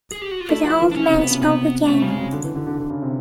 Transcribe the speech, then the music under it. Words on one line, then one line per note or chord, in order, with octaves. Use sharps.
But the old man spoke again.
G#4
G4
F#4
F4
A3 E4
F3
E3
D4
C#4
C3
C3 B3
C#3
C3 B3
C3 A3
C#3 G3
G#3
C#3
D3
E3
D3
D3
D3
C#3
C3